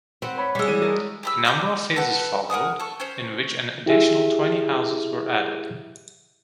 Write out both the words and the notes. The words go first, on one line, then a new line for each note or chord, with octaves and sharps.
A number of phases followed in which an additional twenty houses were added.
C4 B4 F#5
C#5 B5
G3 G#3 C#5 E6
E3 C#5 D#7
A#4 D#5 A5
G4 B5 E6
A4 D6 F6 G6
A4 B4 F#5
A#4 F#5 G#5 D#6
A4 C#6
C#4 C5 C#5
E4 G4 G#4 E5